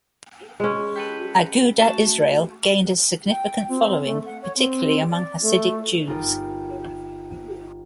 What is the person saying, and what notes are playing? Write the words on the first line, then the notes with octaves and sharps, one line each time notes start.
Agudath Israel gained a significant following, particularly among Hasidic Jews.
G#3 C#4
G4 A4 B4
A3 F#4 A5
G5
C4
A3
F#5
C#5
C4
D5
A3
G1 D#4 F4 A#4 G5